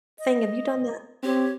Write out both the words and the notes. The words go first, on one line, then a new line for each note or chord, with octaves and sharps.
thing. Have you done that?
D#5
C4 G4 C#5